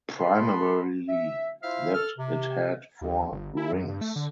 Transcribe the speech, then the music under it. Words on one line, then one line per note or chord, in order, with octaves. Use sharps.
Primarily that it had four rings.
G#4 B4 A5 B5 C6
E5
E4 F4 C5 E5 F5
A4 F6
C3
D#2
G1
E4
F#2
G2
A3
D3